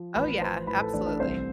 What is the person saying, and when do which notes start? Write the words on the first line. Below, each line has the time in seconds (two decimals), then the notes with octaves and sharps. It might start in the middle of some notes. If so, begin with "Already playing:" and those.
Oh, yeah, absolutely.
Already playing: F3
0.15 A1 B4 B5
0.41 F3 C5 C6
0.67 A2 B4 B5
0.81 A4 A5
0.93 A1 D4 D5
1.07 D4 D5
1.20 C2 C4 C5